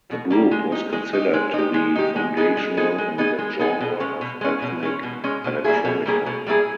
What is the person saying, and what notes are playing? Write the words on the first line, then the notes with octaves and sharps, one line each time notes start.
The group was considered to be foundational in the genre of ethnic electronica.
B2
G3 A#3
G#3
D#4 G4
G#3
D#4 G4
G#3
D#4 G4
G#3
D#4 G4
G#3
B3 D#4 G#4
G#3
B3 D#4 G#4
G#3
B3 D#4 G#4
G#3
B3 D#4 G#4
B2
G#3 C#4
B2
G#3 C#4
B2
G#3 C#4
B2
G#3 C#4
B2
G3 A#3 E4 G#4
B2
G3 A#3 E4 G#4
B2
G3 A#3 E4 G#4